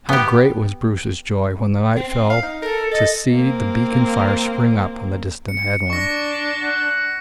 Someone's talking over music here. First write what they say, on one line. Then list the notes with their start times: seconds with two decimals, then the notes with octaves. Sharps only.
How great was Bruce's joy when the night fell to see the beacon fire spring up on the distant headland!
0.09 B3 G4
1.97 C4
2.30 F5
2.43 D#4
2.62 A4 A#4
2.92 A4 D#5
3.33 A#3 C4
5.48 C#7
5.90 D4 C#6 A#6
6.62 F#5